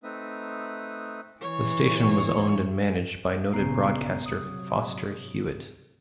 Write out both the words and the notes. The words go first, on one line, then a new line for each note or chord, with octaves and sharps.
The station was owned and managed by noted broadcaster Foster Hewitt.
A3 C4 D#4 B4 E5 D#6
E3 C#5
A#1 C#3 B3 A#5 C7
C3 F#3 D#6